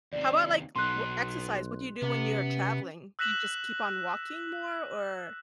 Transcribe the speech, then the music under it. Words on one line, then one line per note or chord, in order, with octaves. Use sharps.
How about, like, w exercise? What do you do when you're traveling? Do you just keep on walking more? Or
D#2 C3 D5
B1 B2 D#4 C6 F#6
C3 B3 C#4
E6 F#6 A#6 B6 E7 F#7